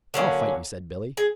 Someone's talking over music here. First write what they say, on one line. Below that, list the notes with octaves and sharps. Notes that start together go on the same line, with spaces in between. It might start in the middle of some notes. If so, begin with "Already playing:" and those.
"I'll fight you," said Billy.
D3 F#3 A#3 C#4
G#4